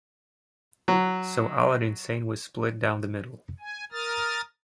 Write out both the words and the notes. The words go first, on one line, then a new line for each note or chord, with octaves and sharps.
So "Aladdin Sane" was split down the middle.
F#3
G#5
A#4 D#6 F6 A6